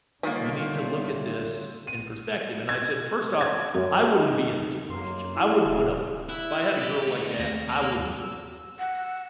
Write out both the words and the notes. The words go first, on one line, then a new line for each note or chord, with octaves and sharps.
"You need to look at this in perspective," and I said, "First off, I wouldn't be in this relationship, I wouldn't put up with this, if I had a girl like that, I wouldn't do it,"
D3 D#3 G3 A#3 F4 C#5 E5
D#7
G#6
G#6
F#2
D#4
F#2 F#3 A#3 C6
C2 C#3 E4
D1 G#4
E4 E6 F#6
G4
A3 F#4
D#2 C4 A#6
A#3 A#4
E6
F#5